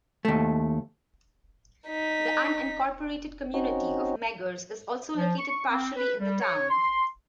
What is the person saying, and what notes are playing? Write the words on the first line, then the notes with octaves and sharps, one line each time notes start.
The unincorporated community of Meggers is also located partially in the town.
D#2 A3
D#4 B6
C4 C#4 D#4 F#4
F3
C#6
C4
B4
G3
C#5
C6